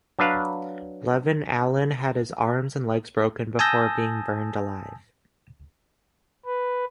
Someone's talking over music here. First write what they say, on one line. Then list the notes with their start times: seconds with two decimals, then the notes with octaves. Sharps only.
Levin Allen had his arms and legs broken before being burned alive.
0.19 F#3 D4 B4 F5
3.59 G#5 A5 D#6 E6 G6 A#6
6.46 B4